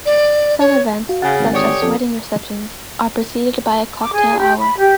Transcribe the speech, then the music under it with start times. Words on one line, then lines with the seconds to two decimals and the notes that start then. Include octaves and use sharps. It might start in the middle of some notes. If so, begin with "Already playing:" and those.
Some events, such as wedding receptions, are preceded by a cocktail hour.
0.06 D5
0.60 C#5
1.09 F#4 F5
1.22 C#3 F#5 G#5 A6
1.39 G#1
1.53 D3 G4 C#5 D5 D#6
1.82 F2 A4
4.01 D6
4.14 G#4
4.38 G4
4.57 B5
4.78 G4